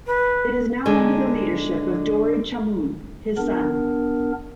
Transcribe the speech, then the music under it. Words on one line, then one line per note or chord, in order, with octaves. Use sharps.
It is now under the leadership of Dory Chamoun, his son.
B4
D3 G#3 D4 D#4 A4
B3 D4 A#4